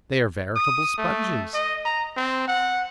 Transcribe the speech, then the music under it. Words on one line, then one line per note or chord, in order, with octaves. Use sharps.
They are veritable sponges!
D#6
A3
D#5
A#5
C4
F#5